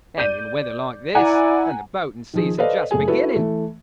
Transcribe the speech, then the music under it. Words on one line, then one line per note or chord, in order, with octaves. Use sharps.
And in weather like this, and the boating season just beginning!
D5 G6 D#7
E4 D5 F#5 G#5 A#5
D#3 F3 G#4
A4 B4 C5 D5 D#5 F5
F#1 A3 G#4 G#5
E4 F#4 A4 B4
E3 A3